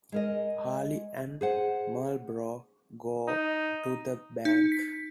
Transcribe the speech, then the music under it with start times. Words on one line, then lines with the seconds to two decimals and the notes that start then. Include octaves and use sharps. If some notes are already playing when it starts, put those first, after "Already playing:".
Harley and Marlboro go to the bank.
0.12 G#3 A#4 D#5
1.41 G#4 C5 F#5
3.27 D#4
4.45 D#4
4.72 B6